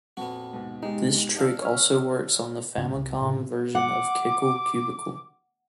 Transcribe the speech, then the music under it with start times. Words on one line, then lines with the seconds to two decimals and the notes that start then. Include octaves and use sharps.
This trick also works on the Famicom version of "Kickle Cubicle".
0.17 F2 A#2 B3 F#4
0.53 D#2 G#2 B2
0.83 G#3 D#4 G4
1.36 D4 D#5 F5 A5 E6
1.62 C#5 F6
2.78 G#2 C#3
2.95 C2 C3
3.22 A2 C#3
3.75 F#5 D6